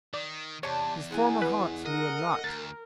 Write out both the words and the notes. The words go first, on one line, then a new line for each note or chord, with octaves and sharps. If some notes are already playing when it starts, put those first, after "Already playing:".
His former haunts knew him not.
D#3 D5
E2 C3 C#5 D5 A5
G#3 B3 E4 G#5
B4
A#4 D#5 F#5
D2 A#4 A6